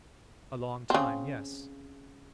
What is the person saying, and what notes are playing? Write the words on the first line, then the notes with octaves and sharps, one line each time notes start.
"A long time--yes."
C#3 C4